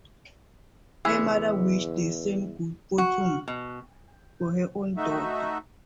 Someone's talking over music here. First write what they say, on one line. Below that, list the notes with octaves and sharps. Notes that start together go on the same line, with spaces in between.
Her mother wished the same good fortune for her own daughter.
E2 E3 G#3 G#4 E6 B6 C#7
F#4
B2
A3 D#4 F#4 E5